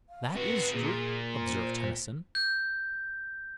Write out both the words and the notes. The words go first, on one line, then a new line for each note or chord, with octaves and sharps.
"That is true," observed Tennyson.
F5
C4 F#4 B4
A#2 G#4
C5
G6